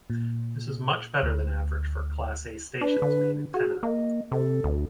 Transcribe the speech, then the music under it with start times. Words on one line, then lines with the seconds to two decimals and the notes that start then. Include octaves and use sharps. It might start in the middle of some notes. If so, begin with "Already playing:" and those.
This is much better than average for a Class A station's main antenna.
0.10 A#2
1.23 D2
2.81 D4 B4
3.02 D3
3.54 F#4 G#4
3.83 A#3 D#5
4.32 C3 A4
4.64 D2